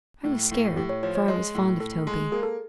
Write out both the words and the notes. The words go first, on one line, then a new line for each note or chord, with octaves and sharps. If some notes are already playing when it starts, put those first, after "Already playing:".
I was scared, for I was fond of Toby.
A2
A2
A2 G4
C#5
F3 C#5
C#5
G#3 D#5
A2
A2 A4
G#3
A#3 G#4
A4